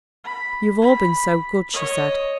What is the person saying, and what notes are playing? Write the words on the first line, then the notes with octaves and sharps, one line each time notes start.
"You've all been so good!" she said.
B5
B5
C#5 D#5